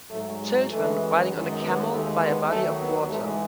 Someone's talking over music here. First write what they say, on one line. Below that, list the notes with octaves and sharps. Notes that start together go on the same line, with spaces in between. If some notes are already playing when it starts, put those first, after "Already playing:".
Children riding on a camel by a body of water.
G#2 F#3 A3
G#3
F#2 E3 G#3 A3
F#2 D#3 G#3
B3
D#2 D#3 G#3 A3
B3
D#2 D#3 F#3 A3
B3
G#2 E3 G#3 A3